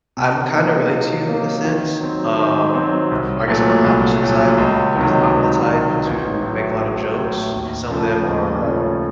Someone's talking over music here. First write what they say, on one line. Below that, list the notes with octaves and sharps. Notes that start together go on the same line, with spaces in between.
I'm kinda relate to you in a sense, um, I guess, on the opposite side, because I'm the type to make a lotta jokes, some of them are
C3
F#3 A#3 D#4
C3
F#3 A#3 D#4
D#3
F#3 C4
D#3
F#3 C4
C2
A#2 F#3 A3
C2
A#2 F#3 A3
C#2
C3 D#3 F#3
C#2
C3 D#3 F#3
A1
A2 F#3
A1
A2 F#3
D#2
C#3 F3 A3 C#4
D#2
C#3 F3 A3 C#4